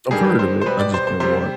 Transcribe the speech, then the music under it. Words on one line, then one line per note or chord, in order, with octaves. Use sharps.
I've heard of it. I just didn't wa
G2 D#3 G3 G#4
B4
C5
C5
B2 G3 B4
D5
C5
C5
C3 G3 C5